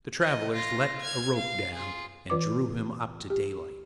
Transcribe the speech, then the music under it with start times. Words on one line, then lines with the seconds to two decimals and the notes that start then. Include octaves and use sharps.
The travellers let a rope down and drew him up to daylight.
0.22 D#5
0.55 F4 A#6
1.01 F6 G#6
1.35 F5
1.74 F4 G#4
2.30 E3 F4 B4 D5 D6
3.30 G4